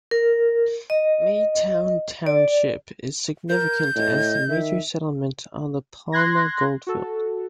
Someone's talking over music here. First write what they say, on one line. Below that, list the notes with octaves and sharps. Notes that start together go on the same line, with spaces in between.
Maytown Township is significant as the major settlement on the Palmer goldfield.
A#4
D#5
D5
A#4 G6
A2 D#5
D#3 E5
C6 F#6 G#6 A#6
F#4 A4